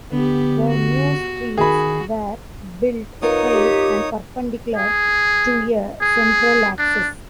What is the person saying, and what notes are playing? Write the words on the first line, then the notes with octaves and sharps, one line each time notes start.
The new streets were built straight and perpendicular to a central axis.
D3 B3 G4
F#4
D#3 F#4 G#4 B5
B3 D#4 F4 A#4 B4 C#5 D#6
G4
G#4
G#4
D4